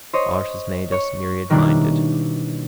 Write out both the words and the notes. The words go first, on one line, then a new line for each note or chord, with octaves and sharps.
Art has made us myriad-minded.
C5 C#5 D#5
C#5 C#6
B2 D#3 G3 A#3 D4 E4